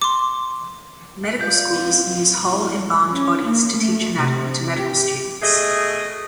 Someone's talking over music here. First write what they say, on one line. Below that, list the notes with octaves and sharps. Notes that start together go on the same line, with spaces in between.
Medical schools use whole embalmed bodies to teach anatomy to medical students.
C6 D6
F4 D5 G6
B3 C4
F#3 C4
E4
C#4
A#3
A3
C3
G4
B2 A3 G#4 D#5